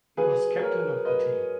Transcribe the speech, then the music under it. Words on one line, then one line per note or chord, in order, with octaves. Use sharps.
He was captain of the team.
F#3 G#4 B4
F#3 A#4 C#5
F#3 B4 D#5